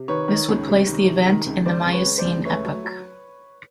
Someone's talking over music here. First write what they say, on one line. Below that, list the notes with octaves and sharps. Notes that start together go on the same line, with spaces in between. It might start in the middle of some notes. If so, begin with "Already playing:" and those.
This would place the event in the Miocene epoch.
Already playing: C3
D#3 B4 C#5
D#3
C#2
C3
D#3
C3
D#3
C#2
C#2 C5 D5
C#2
B4 C#5
C#2
C5 D5
C#2
A3 B4 C#5
F#3
F#3